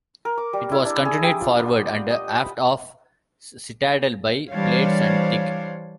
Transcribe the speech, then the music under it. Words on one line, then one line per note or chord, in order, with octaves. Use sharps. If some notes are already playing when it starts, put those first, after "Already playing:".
It was continued forward and aft of the citadel by plates and thick.
A#4
D6
G3
E4
D4
G#4
G4
F4
B3
D#5
B5
E3 G3 D4 C5 C#5 F5